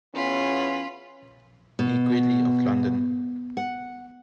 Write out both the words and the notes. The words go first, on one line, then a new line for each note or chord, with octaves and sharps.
B. Gridley of London.
E2 B3 C#4 F4 B5
B2
F#5